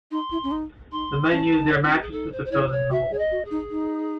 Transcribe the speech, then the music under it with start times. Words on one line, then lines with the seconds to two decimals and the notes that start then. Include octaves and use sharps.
The men used their mattresses to fill the hole.
0.11 D#4 C6
0.31 E4
0.44 C#4
0.51 D#4
0.92 D#4 C6
1.31 C#4 A5
1.58 D#4
1.72 C#5
1.82 C#4 E4
1.92 F#4
2.01 G#4
2.11 D#4 A4
2.32 C5
2.45 C5
2.51 E4 C#5
2.67 C5
2.71 C#5
2.91 F#4 E5
3.11 G#4 C#5
3.18 D#5
3.32 F#4
3.45 G#4
3.51 D#4
3.71 D#4